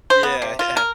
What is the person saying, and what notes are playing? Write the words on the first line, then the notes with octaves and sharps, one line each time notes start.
Yeah, yeah.
C5
B3
C3
F4
A#4